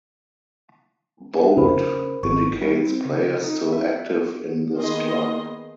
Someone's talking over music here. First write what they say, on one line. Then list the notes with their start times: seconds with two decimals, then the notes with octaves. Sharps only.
Bold indicates players still active in this club.
1.43 E5 F#5
1.57 F2 C#3 A#4 C5 B5
1.70 C#3
2.23 G#1 C4 C#6
2.62 G3
2.87 C4
3.05 C#3
3.44 D#4
3.73 E5
4.77 D#3 A#3 B3 G#4 D#5 C6